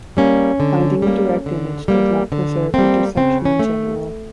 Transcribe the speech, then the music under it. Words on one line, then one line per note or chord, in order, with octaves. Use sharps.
Finding a direct image does not preserve intersection in general.
G3 A#3 C#4
D3
G3 A#3
D3
G3 A#3
D3
G3 A#3 C4
C#3 C4
C#4
A3